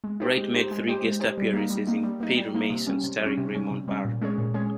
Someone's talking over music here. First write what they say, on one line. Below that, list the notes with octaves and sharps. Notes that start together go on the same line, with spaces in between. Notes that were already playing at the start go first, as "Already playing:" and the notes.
Wright made three guest appearances in "Perry Mason", starring Raymond Burr.
G#3
D#4 G4 C5
G#3
D#4 G4 C5
G#3
D#4 G4 C5
G#3
D#4 G4 C5
G3
A#3 D#4
G3
A#3 D#4
G3
A#3 D#4
G3
A#3 D#4
C3
G3 C#4
C3
G3 C#4
C3
G3 C#4
C3
G3 C#4
A#2
G#3 C#4 G#4 C#5
A#2
G#3 C#4 G#4 C#5